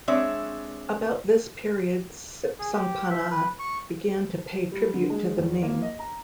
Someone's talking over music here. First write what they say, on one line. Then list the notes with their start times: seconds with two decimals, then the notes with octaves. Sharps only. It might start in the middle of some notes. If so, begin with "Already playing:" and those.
About this period Sipsongpanna began to pay tribute to the Ming.
0.08 G#3 C4 D4 C#5 E5
2.59 G#4
2.74 G4
3.10 E5
3.31 B4
3.59 C#6
4.72 G3
4.94 D3
5.10 G#3
5.38 E2
5.62 A#3
5.82 D#5
5.99 A#5